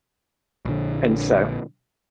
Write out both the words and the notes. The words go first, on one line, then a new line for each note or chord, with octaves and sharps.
And so
A#1 D3